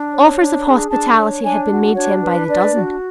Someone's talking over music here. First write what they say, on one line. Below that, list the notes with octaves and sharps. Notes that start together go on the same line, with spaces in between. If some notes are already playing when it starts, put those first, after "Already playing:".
Offers of hospitality had been made to him by the dozen.
Already playing: D4
C#5
D4
G#4
D4 A5
C#5
D4 G#5
F#4
D4 C#5
B4
D4 D5
F#4